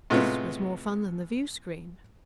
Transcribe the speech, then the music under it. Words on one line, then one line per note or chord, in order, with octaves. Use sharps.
This was more fun than the viewscreen.
A2 C3 G#3 B3 F4